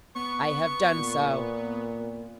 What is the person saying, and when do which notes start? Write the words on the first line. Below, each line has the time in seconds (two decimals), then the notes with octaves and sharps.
I have done so.
0.15 B3 C#6
0.93 A#2